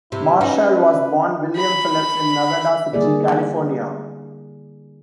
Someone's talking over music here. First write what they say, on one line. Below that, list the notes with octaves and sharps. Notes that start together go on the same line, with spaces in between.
Marshall was born William Phillips in Nevada City, California.
C3 E4
C#4 D#4 B4
B5
D3 G3 A#3 E4 G#4 D5